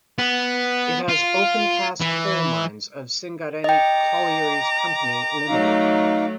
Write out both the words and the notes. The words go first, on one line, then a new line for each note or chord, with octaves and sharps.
It has open cast coal mines of Singareni Collieries Company Limited.
B3
F4
E3
D#5 G5 A#5 D6
F#3 A3 D#4 F5